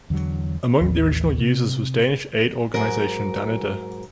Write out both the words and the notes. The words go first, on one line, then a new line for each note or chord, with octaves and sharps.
Among the original users was Danish aid organisation Danida.
E2 D3 F3 F#3
A1 D#2
C3
G#2 F#3 A#4